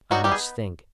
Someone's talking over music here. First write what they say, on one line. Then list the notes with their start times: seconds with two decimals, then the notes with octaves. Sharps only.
I must think.
0.11 F#3 G3 B3 D#4 F#4
0.24 G3 G4
0.32 G#4